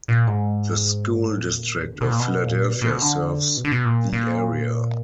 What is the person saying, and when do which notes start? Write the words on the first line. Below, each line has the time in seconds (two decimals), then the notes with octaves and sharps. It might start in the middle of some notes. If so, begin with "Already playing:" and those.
The School District of Philadelphia serves the area.
0.08 A#2
0.27 G#2
1.37 A#2
1.92 D3
2.01 B2
2.11 A#2
2.19 B2
2.47 A#2
2.74 B2
2.82 A#2
2.90 B2
3.02 D3
3.57 B2
3.65 D3
3.72 B2
3.85 A#2
4.13 A#2